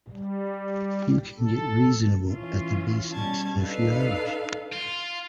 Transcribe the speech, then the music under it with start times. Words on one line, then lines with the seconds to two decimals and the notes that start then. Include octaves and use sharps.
You can get reasonable at the basics in a few hours.
0.11 G3
1.38 A4
2.30 E3 C#4 F4
3.12 B2 G3 C#4 A5 G#6
3.58 D4 D#4 A4 B4 F5
4.72 F4